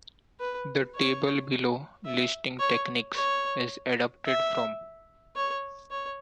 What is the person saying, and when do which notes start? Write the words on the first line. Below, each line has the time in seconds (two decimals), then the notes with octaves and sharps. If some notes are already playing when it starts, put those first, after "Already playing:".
The table below, listing techniques, is adapted from.
0.40 B4
0.95 C#5
2.05 E5
2.60 C#5
3.15 C#5
4.26 E5
5.36 C#5
5.91 C#5